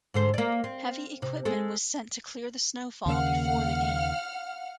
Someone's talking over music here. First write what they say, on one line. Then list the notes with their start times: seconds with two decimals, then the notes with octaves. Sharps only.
Heavy equipment was sent to clear the snowfall before the game.
0.14 G#2 D3 C5
0.34 A#3 D5
0.64 C4
1.22 C3
1.45 G#3 A4
3.06 D#2 C#3 A#3 F5 F#5 F6